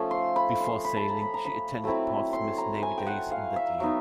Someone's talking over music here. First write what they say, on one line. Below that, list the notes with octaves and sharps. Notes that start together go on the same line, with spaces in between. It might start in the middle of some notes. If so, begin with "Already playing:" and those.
Before sailing she attended Portsmouth Navy Days in that year.
Already playing: F3 A3 C#4
C6
B5
C6
B5
A5
A#5
B5
A#5
B5
F#3 A3 C4 E4
C6
A#5
G#5
G5
F#5
F5
E5
F#3 B3 D#4